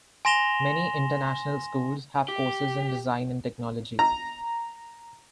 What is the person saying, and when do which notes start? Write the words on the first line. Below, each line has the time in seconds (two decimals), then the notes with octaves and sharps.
Many international schools have courses in design and technology.
0.25 G#5 C6 A#6 E7 F7 G7
2.28 G4
3.99 A#5